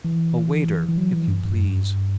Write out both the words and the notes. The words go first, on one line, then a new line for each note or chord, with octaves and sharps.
A waiter, if you please.
E3
E3
F#3
E3
G2
G2
F#2
G2